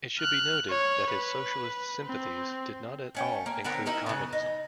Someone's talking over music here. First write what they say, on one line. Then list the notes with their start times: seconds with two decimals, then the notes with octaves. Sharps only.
It should be noted that his socialist sympathies did not at all include communism.
0.19 F6 F#6
0.70 C#5
1.11 B4
2.06 C4
3.15 A3 C#4 G5
3.46 A#3
3.64 D3 B3 C4 A#4
3.86 D#4 E4 A#4 G#5
4.06 C#3 B3
4.33 D#4